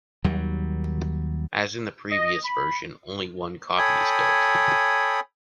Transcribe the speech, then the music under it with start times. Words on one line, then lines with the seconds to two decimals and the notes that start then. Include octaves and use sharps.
As in the previous version, only one copy is built.
0.24 D#2 F#3 G3
2.11 D#5
2.43 B5
3.78 A4 C#5 G5 G#5 B5 D#6